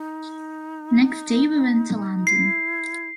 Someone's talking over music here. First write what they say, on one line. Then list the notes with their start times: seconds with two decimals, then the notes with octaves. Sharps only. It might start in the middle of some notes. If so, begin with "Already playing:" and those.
Next day we went to London.
Already playing: D#4
2.27 E4 C7